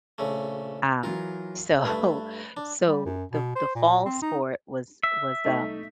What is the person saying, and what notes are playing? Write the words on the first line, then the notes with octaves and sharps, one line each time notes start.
Um, so so the the fall sport was was, um
A#1 C#3 A3
E3 F#3 F4 A#4
G2 A3 B4 A5
D4
G3
F#2
B2
C5
A#2
C4
D#4
E5
A3 D#4 C#6